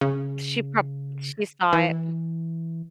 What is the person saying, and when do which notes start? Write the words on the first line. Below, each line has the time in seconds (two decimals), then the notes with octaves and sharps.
She prob She saw it. Mm.
0.01 C#3
1.73 E3